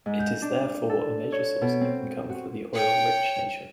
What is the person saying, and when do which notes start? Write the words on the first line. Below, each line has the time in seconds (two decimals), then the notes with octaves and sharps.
It is therefore a major source of income for the oil-rich nation.
0.06 G#2
0.19 G6
0.42 D4
0.89 A4
1.32 C#5
1.61 B2
1.81 C4
2.29 F#4
2.74 C#5 G5